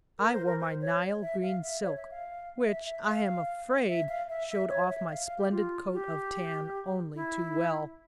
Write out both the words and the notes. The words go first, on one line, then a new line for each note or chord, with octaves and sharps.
I wore my nile-green silk, which I am afraid showed off my splendid coat of tan only too well.
A#4
C5
A#4
C5
C#5
E5
F5
E5
C#5
E5
F5
E5
E5
F5
E5
F5
E5
E5
C#5
E5
F5
F5
G4
F4
G4
E4